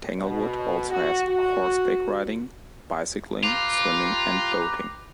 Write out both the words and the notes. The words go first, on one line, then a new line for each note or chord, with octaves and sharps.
Tanglewood also has horseback riding, bicycling, swimming and boating.
B2
F#4
F#4
F4 G4 B4 A#5